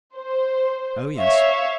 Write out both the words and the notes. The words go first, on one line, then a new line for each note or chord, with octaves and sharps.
Oh, yes!
C5
C#5 E5 F5